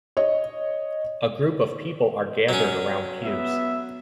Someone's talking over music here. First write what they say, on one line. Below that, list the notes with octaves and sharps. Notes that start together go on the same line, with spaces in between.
A group of people are gathered around pews.
C#5 D#5
F#3 C#4
B3 E5